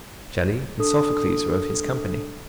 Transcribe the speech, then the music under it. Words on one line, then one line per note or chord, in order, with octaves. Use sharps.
Shelley and Sophocles are of his company.
D4 A4 D#6